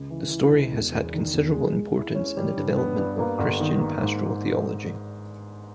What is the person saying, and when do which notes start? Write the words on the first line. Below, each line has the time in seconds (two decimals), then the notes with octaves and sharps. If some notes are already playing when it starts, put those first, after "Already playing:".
The story has had considerable importance in the development of Christian pastoral theology.
Already playing: C#2
0.10 E3
0.30 E3
0.51 C#2
0.72 E1
0.92 E2
1.13 D#3
1.34 E1
1.54 G#3
1.74 G#3
1.96 E4
2.15 C#4
2.37 G3
2.57 G2
2.77 B3
2.98 G2
3.19 A#3
3.39 G1
3.60 D#3
3.80 A#3
4.01 G#2